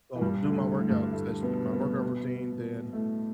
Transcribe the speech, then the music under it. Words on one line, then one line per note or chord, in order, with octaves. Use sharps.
So, do my workout session my workout routine, then,
E3
G2 G3
D2 D3
A2
A2
G2
A2 A3
B2 B3
B2 B3
A2 A3